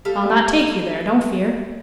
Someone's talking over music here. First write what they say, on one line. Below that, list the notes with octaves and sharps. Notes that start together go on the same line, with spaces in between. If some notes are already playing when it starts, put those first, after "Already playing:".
"I'll not take you there, don't fear."
G3 A4 F5